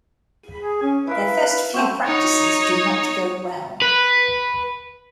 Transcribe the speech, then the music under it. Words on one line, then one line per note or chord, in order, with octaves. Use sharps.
Their first few practices do not go well.
G#4
C#4
E4 A#4 B4 F5
A3 B3 C4 F#4
D#4 C#5
B4